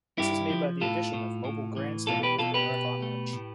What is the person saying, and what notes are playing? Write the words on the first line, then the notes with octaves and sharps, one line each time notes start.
This is made by the addition of mobile grandstand over the Marathon Arch.
G2 E4 G4
F3
A2 F4 A4
A2
A2
E3
B2 F4 A4
G4 B4
B2 F4 A4
G4 B4
B2
A3
A2